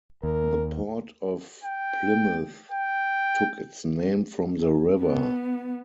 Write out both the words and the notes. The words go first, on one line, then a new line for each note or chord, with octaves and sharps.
The port of Plymouth took its name from the river.
D#2 A#4
G5
G5
B3